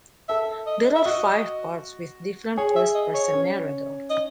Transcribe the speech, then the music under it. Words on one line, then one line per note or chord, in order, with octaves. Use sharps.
There are five parts with different first-person narrators.
A4 E5
D#5
E5
F#4 D#5
G#4 C#5
E5
D#5
C#5
C#4
D#5